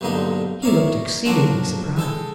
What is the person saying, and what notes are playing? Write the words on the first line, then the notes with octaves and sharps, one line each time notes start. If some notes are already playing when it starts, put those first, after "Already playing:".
He looked exceedingly surprised.
B1 G2 A#2 D3 D#4 G5
E4 A#4 C#5 D5 F5
F3 F#3 A#3 C4 D4 F#4
G#3 A4 G5